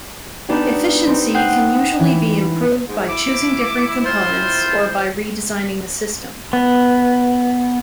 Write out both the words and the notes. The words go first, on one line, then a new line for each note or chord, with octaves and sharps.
Efficiency can usually be improved by choosing different components or by redesigning the system.
B3 D4 D#4 G4
C4 D#4
F#5 G5 D#6 G6 C7
E3
G#2
E4 D6
C4 E4 F4 C5
B3